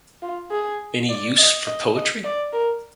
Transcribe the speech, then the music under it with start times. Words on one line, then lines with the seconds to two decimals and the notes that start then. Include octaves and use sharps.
Any use for poetry?
0.22 F4
0.51 G#4
1.09 D5
1.38 D#5
1.67 D#5
1.96 D#5
2.24 D5
2.53 A#4